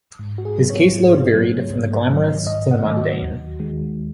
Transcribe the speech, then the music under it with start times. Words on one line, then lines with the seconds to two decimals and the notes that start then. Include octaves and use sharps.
His case load varied from the glamorous to the mundane.
0.19 G#2
0.38 F#4
0.45 G#4
0.58 F#3 B3
0.70 C#5
0.95 G#2
1.34 F#3 B3
1.70 G#2
2.09 D#3 F#3
2.46 G#2 D#5
2.71 F#5
2.84 D#3 F#3
2.97 F#4
3.22 D#2
3.60 D#3 G#3